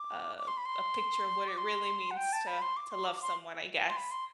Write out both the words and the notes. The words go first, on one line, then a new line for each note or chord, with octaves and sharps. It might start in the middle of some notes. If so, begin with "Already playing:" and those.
Uh, a picture of what it really means to to love someone, I guess.
Already playing: D6
D6
C6
B5
C6
D6
C6
F#5
G5
A5
B5
C6
D6
C6
D6
D6
C6
C6
B5
C6